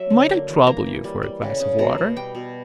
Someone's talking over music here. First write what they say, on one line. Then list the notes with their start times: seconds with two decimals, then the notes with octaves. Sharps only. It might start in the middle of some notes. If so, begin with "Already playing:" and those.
"Might I trouble you for a glass of water?"
Already playing: F#3 E5
0.10 D3
0.29 A#3
0.49 E3
0.67 A#3 A#5
0.86 E3
1.04 G3
1.23 G3
1.42 C#3
1.60 C#3
1.79 B2 A#5
1.98 B2
2.16 G3 G5
2.35 B2